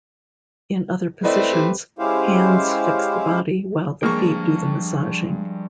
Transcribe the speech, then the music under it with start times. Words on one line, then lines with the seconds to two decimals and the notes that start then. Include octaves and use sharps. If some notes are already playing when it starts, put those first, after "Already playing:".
In other positions, hands fix the body, while the feet do the massaging.
1.24 A3 C4 E4 B4 D5 D#5
1.52 G4
1.99 G#3 C#4 E4 G4 C5 F5
4.03 F3 G3 G#3 A#3 D4 G5 C#6